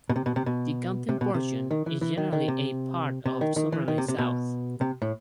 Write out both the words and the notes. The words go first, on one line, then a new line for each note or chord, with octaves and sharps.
The county portion is generally a part of Summerlin South.
B2
C3
B2
C3
B2
C3
B2
C3
D#3
E3
E3
D#3
D#3
C3
C3
D#3
D#3
E3
D#3
C3
C3
B2
C3
A2